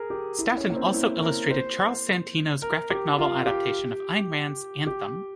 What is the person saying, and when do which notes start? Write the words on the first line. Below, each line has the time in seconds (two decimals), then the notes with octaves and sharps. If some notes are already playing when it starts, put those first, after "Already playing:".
Staton also illustrated Charles Santino's graphic novel adaptation of Ayn Rand's "Anthem".
Already playing: G#4 A#4
0.10 G4
0.39 E4
0.52 E4
0.57 C#4
0.70 A#3
0.76 C4
0.94 E4
1.22 A#4
1.51 C5
2.62 A#4
2.91 G4
3.18 F4
3.46 G4
4.87 G4